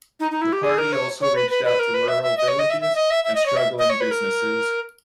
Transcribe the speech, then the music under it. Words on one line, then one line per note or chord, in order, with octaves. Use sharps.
The party also reached out to rural villages, and struggling businesses.
D#4
D#4
E4
G4
G#4
A#4
C#5
C#5
B4
B4
B4
A#4
B4
E5
E5
D#5
C#5
D#5
E5
E5
D#5
E5
E5
D#5
C#5
E5
D#5
C#5
B4
A#4